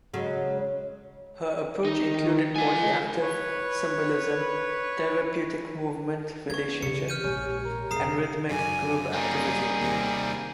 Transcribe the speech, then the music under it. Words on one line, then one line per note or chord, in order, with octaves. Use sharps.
Her approach included body active, symbolism, therapeutic movement relationship, and rhythmic group activity.
C#3 F#3 G#3
D#3 D#4
G#3 F4 G#5
B4 C#5
E2 B3 C#6 G#6
C#3 E3 G4 C#7
F6 G6 D#7
A#1 G#3 C#4
A#4
F1 G#4 A#5 D#6 C7
F#2 C#3 D5 G#5
G3 A#3 D#4 G#4
D#2 C3